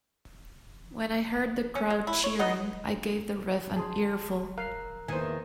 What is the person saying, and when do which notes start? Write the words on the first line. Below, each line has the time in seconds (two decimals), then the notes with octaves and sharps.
When I heard the crowd cheering, I gave the ref an earful.
1.75 C#4
1.90 G#3
2.07 E4
2.24 C#5
2.39 B3 D#4 D#5
3.76 G#4 A5 C6
4.58 A#4 F5 A#5 F#6
5.08 E2 A#2 D#3 E3 C5 G#5